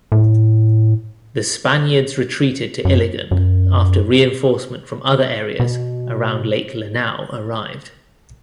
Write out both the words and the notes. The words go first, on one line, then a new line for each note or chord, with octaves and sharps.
The Spaniards retreated to Iligan after reinforcement from other areas around Lake Lanao arrived.
A2
F#2
F#2
B2